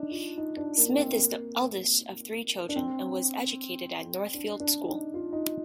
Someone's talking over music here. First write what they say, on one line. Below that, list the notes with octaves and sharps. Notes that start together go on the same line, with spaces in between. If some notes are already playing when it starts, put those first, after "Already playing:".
Smith is the eldest of three children, and was educated at Northfield School.
Already playing: D4 D#4
F4
D#4
D4
A#3
C4
A#3
D4
C4
D4
D4
D#4
F4
D#4